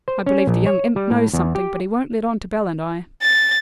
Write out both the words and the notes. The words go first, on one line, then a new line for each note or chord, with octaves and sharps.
I believe the young imp knows something, but he won't let on to Bell and I.'
C5
C#4
A#1
C#5
G3
A2
E2
G4
A6